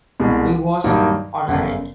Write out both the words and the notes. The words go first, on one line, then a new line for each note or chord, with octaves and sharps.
He was ordained.
C2 B2 G#3
G2 D#3 F#3 A#3 D#4
G1 F#2 C#3